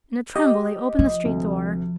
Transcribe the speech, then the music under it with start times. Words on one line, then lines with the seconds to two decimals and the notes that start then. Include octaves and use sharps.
In a tremble they opened the street door.
0.36 G4 D#5
0.99 F3
1.25 D2 C3